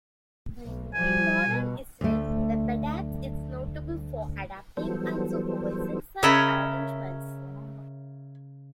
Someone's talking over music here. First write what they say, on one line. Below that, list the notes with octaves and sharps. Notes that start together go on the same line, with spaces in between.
In modern Israel, the "badatz" is notable for adapting and supervising such arrangements.
B1
F3 G3 G#5
B2
D2 A3
E3 F#3 G3 B3 A4 C5
C#3 A#4 C#5 D#5 E5 B5